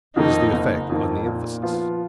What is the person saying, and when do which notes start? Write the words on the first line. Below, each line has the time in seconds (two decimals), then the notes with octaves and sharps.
What is the effect on the emphasis?
0.16 F2 D#3 A#3 D#4
0.53 F#1
0.89 F2 D#3 A#3
1.26 A#2
1.63 F3 B3 F4